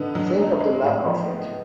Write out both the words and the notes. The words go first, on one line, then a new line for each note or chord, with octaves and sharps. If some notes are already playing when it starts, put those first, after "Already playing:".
Think of the luck of it.
Already playing: D3 B3 D#4
F#3
D#4
G#3
A2
F3
B3